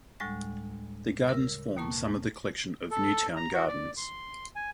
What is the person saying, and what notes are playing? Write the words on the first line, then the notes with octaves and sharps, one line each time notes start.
The gardens form some of the collection of New Town Gardens.
D2 A2 G3 G#3 A6
C#3 A#4 E6
D#2 B2 A#3 A5 C#6
A4
A#5
F#4
D5
C6
G#5